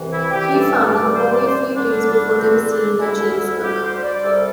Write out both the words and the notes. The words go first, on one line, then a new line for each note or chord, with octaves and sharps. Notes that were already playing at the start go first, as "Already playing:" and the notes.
He found them only a few days before they were seen by James Cook.
Already playing: C2 C3 E3
E4
G4
G2 E3 G3 A4
D5
C5
D5
C5
E2 D3 G3 D4
D4
C4
D4
D2 D3 G3 E4
E4
G4
C5
D5
C2 C3 G3 A4